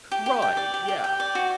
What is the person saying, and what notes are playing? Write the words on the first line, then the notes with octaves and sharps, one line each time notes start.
Right, yeah.
G4
G4
G5
D5
G4
G4
G5
D5
F#4